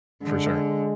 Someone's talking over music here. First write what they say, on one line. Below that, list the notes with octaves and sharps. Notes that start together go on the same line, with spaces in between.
For sure.
D3 G#3